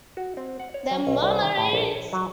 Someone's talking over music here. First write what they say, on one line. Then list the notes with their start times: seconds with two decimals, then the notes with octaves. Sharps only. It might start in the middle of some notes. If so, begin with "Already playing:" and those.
The memories!
0.17 F#4
0.37 C4
0.60 F#5
0.74 C#5
0.91 F#3
1.07 B1
1.23 C2
1.42 D#3
1.57 A2
1.73 A#1
1.95 C#5
2.13 F#3